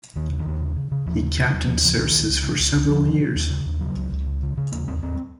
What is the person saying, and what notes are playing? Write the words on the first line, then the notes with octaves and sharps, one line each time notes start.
He captained Services for several years.
D#2 D#3
C#3
D#3
D#2
C#3
C#3
C#3
D#2 F3
C#3
C#3
D#2 F#3
D#2 F3
C#3 F3
C#2 D#3
C#2
C#2
C#3
C#2
C#2
D#2 F3
C#3
C#3
D#2
C#3
D#2
C#3 F#3
C#2
C#2
C#3
C#3
C#3
D#2 A#3
D#2 C4
D#2 C4